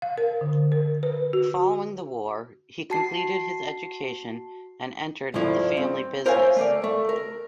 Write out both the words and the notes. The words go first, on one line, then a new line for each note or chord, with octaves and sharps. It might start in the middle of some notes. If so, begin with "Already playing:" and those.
Following the war, he completed his education and entered the family business.
F5
A#4
D3
A#4
B4
F#4
F#4 A5 C7
C2 G2 D#3 F3 E4 A4
C4
A#4 C5 C#5 E5 F5 G#5
A3 A#3 D5
A3
A#4